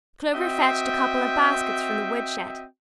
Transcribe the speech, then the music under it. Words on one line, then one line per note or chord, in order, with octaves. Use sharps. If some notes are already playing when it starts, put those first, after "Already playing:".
Clover fetched a couple of baskets from the wood-shed.
C4 F#4 D#5 E5 G5